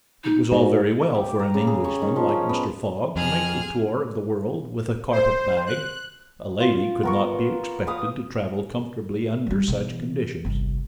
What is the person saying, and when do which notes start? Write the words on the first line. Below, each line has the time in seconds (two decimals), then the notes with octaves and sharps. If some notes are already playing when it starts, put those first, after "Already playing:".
It was all very well for an Englishman like Mr. Fogg to make the tour of the world with a carpet-bag; a lady could not be expected to travel comfortably under such conditions.
0.24 D#4
0.52 G#2 F#4
1.14 G4
1.28 D6
1.39 A#5
1.54 C#3
1.67 G#4
1.84 C#6
2.02 D#3
2.16 F3
2.29 C#4
2.49 B3
3.16 F2 G#4 F6
5.12 C5
5.67 F#6
6.60 F4
7.03 B3 A#4 C#6
7.87 B4 F5 D#6
9.47 G3 G#3
9.68 B2 E3
10.45 G1 C2